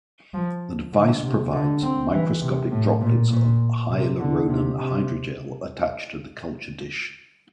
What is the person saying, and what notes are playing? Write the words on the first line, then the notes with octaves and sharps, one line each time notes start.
The device provides microscopic droplets of hyaluronan hydrogel attached to the culture dish.
F3
D3
C3
D3
C4
E3
C3
A2
A#2
A#2
C3
D3
C3
C3